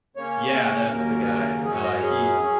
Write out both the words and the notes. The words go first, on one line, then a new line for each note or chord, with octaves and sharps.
yeah, that's the guy. Uh, he
C#3 A#3 C#4 C#5
D#2 C#3 F#3 A#3 C#4 A#4
F#2 F#3 C#4 G#4
C#5
D#5
C#5
G#4
F#3 C#4